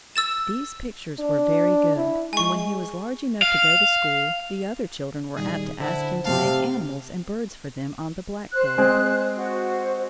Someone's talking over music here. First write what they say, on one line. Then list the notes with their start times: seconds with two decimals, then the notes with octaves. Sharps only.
These pictures were very good, and when he was large enough to go to school the other children were apt to ask him to make animals and birds for them on the blackboard.
0.16 E6 A6 E7
1.19 D4
1.96 E4
2.33 G#3 G#5 C#6
3.42 F5
5.36 A#2 D#3 G3 D#4 G#4
5.80 D3 E4 C5 F#5 A5
6.26 C3 A3 F5 A5
8.52 C5 F#6
8.78 G#3 C4 G#4
9.36 F#4 C5